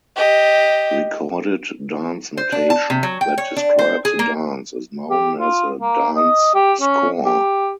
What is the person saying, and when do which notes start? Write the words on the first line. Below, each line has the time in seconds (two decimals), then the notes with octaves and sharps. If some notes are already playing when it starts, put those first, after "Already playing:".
Recorded dance notation that describes a dance is known as a "dance score".
0.16 G4 D#5
2.37 C5
2.52 D4
2.70 A5
2.90 C3
3.03 F#3
3.21 G5
3.38 C#5
3.56 D4
3.79 C5
4.05 G#4
4.19 A#3
5.10 G4
5.40 F4
5.81 A#3
6.16 D#5
6.55 G4
6.81 C#4
7.25 G4